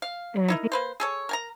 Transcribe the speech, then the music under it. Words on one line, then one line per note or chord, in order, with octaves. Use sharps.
And I think
F5
D#4 E4 A#4
A#3 B4 C5
G#4 A4 C#5
A#4 G#5 A#5